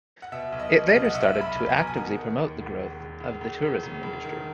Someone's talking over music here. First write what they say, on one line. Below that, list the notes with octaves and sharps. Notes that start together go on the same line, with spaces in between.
It later started to actively promote the growth of the tourism industry.
F#5
B2 E5
B1
D#5
B2
D#5
B1
F#5
B1 E5
B1
B5
B1
G#5
B2 A#5
G#5
D#3 F#5
D#3
D#2
E1
D#2
E1
E1
E1
E1
E1
E1
D#3